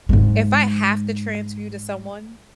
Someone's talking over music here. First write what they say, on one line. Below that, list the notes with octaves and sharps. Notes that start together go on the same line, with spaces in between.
if I have to transfer you to someone,
G#2 G#3